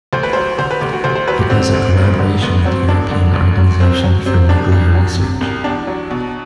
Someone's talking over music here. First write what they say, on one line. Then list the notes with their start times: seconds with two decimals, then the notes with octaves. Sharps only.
It has a collaboration with European Organization for Nuclear Research.
0.13 D2 C5
0.23 B4
0.33 F#3 C5
0.58 D3 C5
0.71 B4
0.81 D2 G4
0.93 F#4
1.04 D2 C5
1.16 C5
1.28 F#3 B4
1.39 G4
1.50 D3 C4
1.73 D2
1.97 E1
2.19 D3
2.42 D2 B3
2.65 F#3 C4
2.88 E1 D4
3.11 D3
3.34 D2
3.57 F#3
3.80 C2 C4
4.03 F#3
4.26 C3 C4
4.49 C2 D4
4.72 C2
4.95 F#3
5.18 C3
5.41 C2
5.64 E2 D4
5.87 F#3
6.10 B2